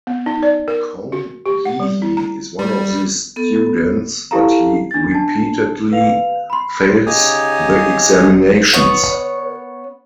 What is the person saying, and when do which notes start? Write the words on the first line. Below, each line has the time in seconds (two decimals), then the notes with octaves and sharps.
Kong Yiji is one of these students, but he repeatedly fails the examinations.
0.07 B3
0.26 D#4
0.43 D5
0.68 A#4
1.12 F#4
1.46 G4
1.65 F#5
1.80 G3
2.02 E4
2.17 A#5
2.59 G3
3.36 B3 A4
4.31 E4 G4 A4 F5 A5 A#5
4.91 D4 A6
5.12 D4 A5
5.91 B4 F5 F7
6.50 B5 C6
7.07 C#3 D#4 G4 G#5 A#5 D#6
8.73 B3 C#5 F#5